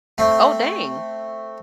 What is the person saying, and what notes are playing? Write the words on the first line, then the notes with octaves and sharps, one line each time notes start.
Oh, dang!
A3 C4